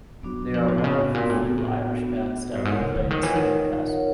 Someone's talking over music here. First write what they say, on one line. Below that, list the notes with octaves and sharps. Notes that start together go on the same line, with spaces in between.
They are one of the few Irish bands to ever play in Slane Castle.
F#3 B3 D4 F#4
F#3
F3
D3
C3
C#3 B3 D4 F#4
A2
A#2
A2
A#2 B3 D4 F#4
A2
B3 D4 F#4
G2
G#2 F4 A#4 C#5 F#5
C3
D3
D#3
E3 F4 A#4 C#5 F#5
D#3
F4 A#4 C#5 F#5